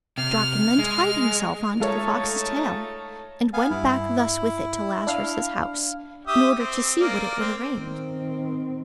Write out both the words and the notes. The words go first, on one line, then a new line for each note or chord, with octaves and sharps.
The Draken then tied himself on to the fox's tail, and went back thus with it to Lazarus's house, in order to see what it would arrange.
C3 F6
G#3
G#3 A3 D#4 F4 A4 C#5 A5
B3 F5 G#5
G2 E4
D4 F5 F6
G4 E5 D#6
C4
A#3 D5
C4
D#3 C4